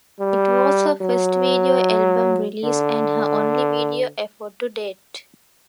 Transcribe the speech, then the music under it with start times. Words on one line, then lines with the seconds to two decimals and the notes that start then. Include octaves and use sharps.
It was her first video album release and her only video effort to date.
0.19 G3
1.01 F#3
2.64 D3